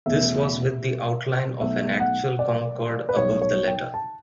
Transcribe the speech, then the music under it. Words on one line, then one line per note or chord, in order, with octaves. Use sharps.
This was with the outline of an actual Concorde above the letter.
E2 B2 A3 C#4 E5
B1 B2 A3 E5
F#5
D5
B4
B1 B2 G3 C#5
C#5
G5
A5